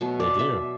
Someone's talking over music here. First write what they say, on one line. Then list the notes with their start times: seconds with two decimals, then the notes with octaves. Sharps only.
They do.
0.01 B2 F#3 A3
0.20 D5
0.39 E5